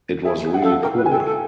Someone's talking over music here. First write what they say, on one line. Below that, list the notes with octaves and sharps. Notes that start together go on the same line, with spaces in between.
It was really cool.
G#4 E5
G#4
F#5
A4 F5
F#5
A#4 G5
B4
G#5
A4 G5
A4